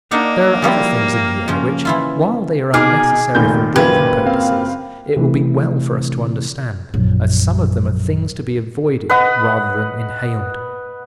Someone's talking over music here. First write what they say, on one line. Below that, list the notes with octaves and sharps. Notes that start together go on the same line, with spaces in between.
There are other things in the air which, while they are unnecessary for breathing purposes, it will be well for us to understand, as some of them are things to be avoided rather than inhaled.
A#3 D4 D#4 F#5
F3 G3 E4
C#3 F3
E3 E4 F4
B2 D#4 G#4 D6 F6
F1 A#2 D#3 G6
F#1 A#3 F4 G4 B4 G#6
C4 F5
C3 E3 A3 E4
A#1 F#2
B4 D#5 F#5 D#6